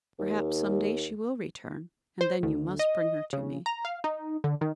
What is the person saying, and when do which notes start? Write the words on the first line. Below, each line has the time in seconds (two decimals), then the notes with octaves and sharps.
Perhaps, some day, she will return, and then you must bring her to me.'
0.19 D#2
2.21 C5
2.43 D2
2.79 D#5
3.33 C#3
3.66 A#5
3.85 F5
4.04 D#4
4.44 D3
4.61 D#3